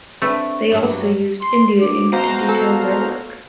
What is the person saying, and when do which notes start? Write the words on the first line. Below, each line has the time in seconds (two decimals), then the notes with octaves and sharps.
They also used India Ink to detail their work.
0.22 A3 C4 D4 B4
0.72 G2 F#3
1.41 C6
1.81 D2 D6
2.12 F#2 B2 F#4 C5 F5 A#5
2.48 A4